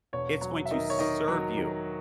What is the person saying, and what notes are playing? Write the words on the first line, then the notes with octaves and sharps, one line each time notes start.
it's going to serve you,
E1 C#5
F#3 C#5
E5
D#3 D#5
C#5
D#3 D#5
F#3
D#3